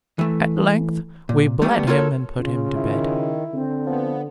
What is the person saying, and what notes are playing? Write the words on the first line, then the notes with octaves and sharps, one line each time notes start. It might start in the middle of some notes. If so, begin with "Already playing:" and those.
At length we bled him and put him to bed.
E3 A3
A#2
G3 A3 B3 D4
A#3 F4 F#4 A4 A#4 C#5
C#3 F4
D#3 E4
D3 C4
F3 B3